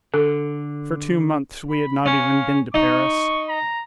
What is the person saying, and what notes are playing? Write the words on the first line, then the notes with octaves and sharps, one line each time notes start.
For two months we had not even been to Paris.
D3 A4
B5
C#4 F5
D#4 C#6
A#5